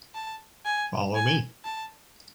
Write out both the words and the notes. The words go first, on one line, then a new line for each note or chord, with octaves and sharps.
Follow me.
A5
G#5
G#5
A5